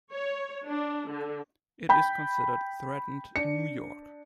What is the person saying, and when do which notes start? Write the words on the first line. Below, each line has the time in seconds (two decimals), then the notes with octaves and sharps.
It is considered threatened in New York.
0.11 C#5
0.66 D4
1.09 D3
1.89 G5 B5 G6
3.36 D4 C#7